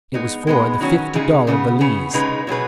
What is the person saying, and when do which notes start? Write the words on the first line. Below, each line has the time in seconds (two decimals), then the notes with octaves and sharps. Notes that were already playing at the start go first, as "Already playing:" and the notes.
It was for the fifty-dollar valise.
0.14 G#3 B3 D#4
0.47 G#3 B3 D#4 B4
0.81 D#3 F#3 C#4 F#4
1.14 C#3 G#3 D#4 G#4
1.47 C#3 B3 G#4 B4
1.81 C#3 B3 G#4
2.13 C#3 G#3 D#4 G#4 B4
2.47 B2 F#3 B3 G#4 B4